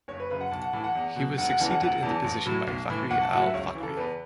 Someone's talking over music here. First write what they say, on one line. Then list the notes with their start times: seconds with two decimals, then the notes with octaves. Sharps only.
He was succeeded in the position by Fakhri Al Fakhri.
0.08 F#1 C#5
0.20 B4
0.30 F#2 C#3 B4
0.41 F#5
0.51 B1 A5
0.62 F#5
0.73 A2 E3 A5
0.84 F#5
0.95 E2
1.16 B2 F#3
1.38 E1 F#5
1.49 F#5
1.60 E2 C#3 E3 A5
1.70 F#5
1.81 E1 F#5
2.03 E2 E3 A5
2.24 A1
2.46 A2 F#3
2.67 B1
2.90 A2 E3
3.10 B1 F#5
3.21 A5
3.32 A2 F#3 F#5
3.43 E5
3.54 C#2 C#5
3.75 E3
3.80 C#3 A4
3.97 E2 B4